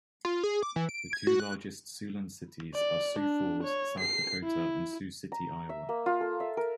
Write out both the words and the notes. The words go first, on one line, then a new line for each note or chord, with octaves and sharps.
The two largest Siouxland cities are Sioux Falls, South Dakota, and Sioux City, Iowa.
F4
G#4
D6
E3
D7
G#6
F#4
F#6
D5
D4
C#5
C7
E4
A#5
E5
A#3
F4
A4
E5
A#4